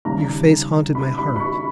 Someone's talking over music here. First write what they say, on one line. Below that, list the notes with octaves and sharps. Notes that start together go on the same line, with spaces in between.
Your face haunted my heart.
D#2 C#3 G3 A#5
B5
B5
B5
C#6